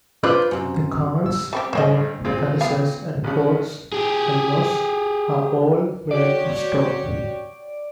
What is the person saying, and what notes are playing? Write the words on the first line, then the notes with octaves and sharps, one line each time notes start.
The khan's court, palaces, and courts, and mosques are all made of stone.
D4 F4 B4 C5 D5
F#2 C3
E6
G3 C4 G4
A1 G2 C5 C#5 D#5
A#2 G#3 C4
B3 G4 F5
A#1 C#3
G4 G#4
F#4 G4 C#5 D5